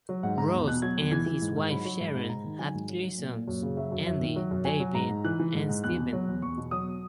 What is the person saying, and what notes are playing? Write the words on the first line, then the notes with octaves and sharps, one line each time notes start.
Ross and his wife, Sharon, have three sons: Andy, David, and Steven.
F#3
G#2 F#5
G#2 A#5
E2
B2 F#6
F#3 G#6
E2
E3 G#6
E3
G#2
G#2
F#3 B5
F#3
G#2
G#2
G#2 A#5
D#3
F#3 G#5
G#2
F#3
F#3
A#2
A#2
F#2
C#3
F#3 E5
F#2
F#2 E5
D#3
F#3
F#2
F#3 G#5
F#3
G#2 A#5
G#2
E3 F#6
E3
G#2
G#2
E2 F#6
B2
F#3
E2
E2 C#6
B2
F#3 D#6